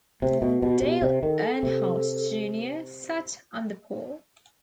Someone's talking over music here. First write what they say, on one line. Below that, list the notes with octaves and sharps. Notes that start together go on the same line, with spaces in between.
Dale Earnhardt, Junior sat on the pole.
C3 A3
B2
B2 G4
F#4
B2 G4
C3
D#3
A4
A4
C3